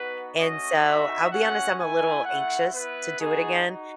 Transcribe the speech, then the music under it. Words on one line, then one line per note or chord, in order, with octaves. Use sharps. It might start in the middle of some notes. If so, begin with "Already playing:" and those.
And so, I'll be honest, I'm a little anxious to do it again.
Already playing: B3 D#4 F#4 B4
A3 C#4 F#4 D#5
A3 D#4 F#4 E5
A3 C#4 F#4 F#5
A3 E4 G#5
A3 E4 F#5
B3 E4 B4
B3 D#4 F#4 G#4
D#4 F#4